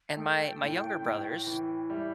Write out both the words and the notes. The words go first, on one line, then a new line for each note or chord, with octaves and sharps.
And my my younger brothers,
A3 G5
A2
A2
E3
G3 E5